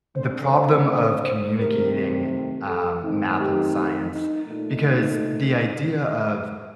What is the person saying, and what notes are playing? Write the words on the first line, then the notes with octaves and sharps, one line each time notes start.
the problem of communicating, um, math and science, because the idea of
D3 A3 C4 C5
C5
C5
C5
C3 D#3 A3 C4 A#4
A4
D#3 A3 C4 D#4
G4
D#4
A#2 A3 D#4